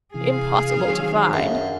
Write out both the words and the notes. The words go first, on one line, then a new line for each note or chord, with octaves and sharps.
"Impossible to find."
C3 E3 G#4 F5
D#3 F#3 C4 C#5
F#2 D#3 D4 G#4 D#5 F5